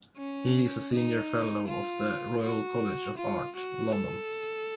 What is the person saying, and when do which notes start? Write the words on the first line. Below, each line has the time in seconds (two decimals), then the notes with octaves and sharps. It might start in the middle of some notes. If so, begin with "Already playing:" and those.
He is a Senior Fellow of the Royal College of Art, London.
0.17 C#4
0.92 D#4
1.67 F4
2.43 F#4
3.17 F4
3.55 F#4
3.92 A4